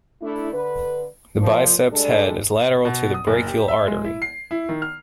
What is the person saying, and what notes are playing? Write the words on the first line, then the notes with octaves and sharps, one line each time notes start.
The biceps head is lateral to the brachial artery.
A3 D4 E4
D3 B4
A#2 F3
G3 G#3 D4 A4 D5
B2
D#6
F#1
G4
E5
G#3
E4
C7
E4
D#3
F6